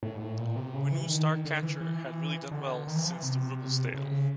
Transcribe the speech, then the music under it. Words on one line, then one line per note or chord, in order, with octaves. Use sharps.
We knew Star Catcher had really done well since the Ribblesdale.
A2
G#2
A2
A#2
C3
C#3
E3
D#3
D3
E3
E3
D3
D#3
E3
F3
E3
C3
C#3
C#3